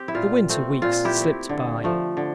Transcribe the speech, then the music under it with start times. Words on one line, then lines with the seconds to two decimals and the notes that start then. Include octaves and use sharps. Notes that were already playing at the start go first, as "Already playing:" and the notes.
The winter weeks slipped by.
Already playing: C4 G4
0.08 E4
0.15 A#2 F4
0.49 A3 C4
0.82 A#2 F4
1.05 E4 G4
1.16 A3
1.21 C4
1.49 D3
1.84 F3 A3
2.17 D3